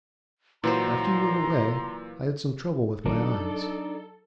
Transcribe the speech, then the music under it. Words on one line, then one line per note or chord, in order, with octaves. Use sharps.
After you went away I had some trouble with my eyes.
A#2 E3 F#3 C5 A#5 C6
G#1 D#3 F#3 D4 D#4 A4